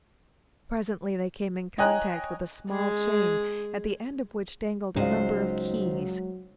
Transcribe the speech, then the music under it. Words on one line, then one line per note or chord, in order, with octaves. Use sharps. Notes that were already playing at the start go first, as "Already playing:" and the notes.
Presently they came in contact with a small chain at the end of which dangled a number of keys.
C#5 D#5 G5 G#5 A#5 F#6
G#3 G#4
C#2 F#3 G#3 D#4 C5 D5 F5